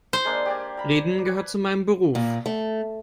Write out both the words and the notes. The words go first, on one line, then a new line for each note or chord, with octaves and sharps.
Reden gehört zu meinem Beruf.
C5
G#3 A#3 D4
G4 D5 G#5
A#5 B5
B4 G#5
A#2
A3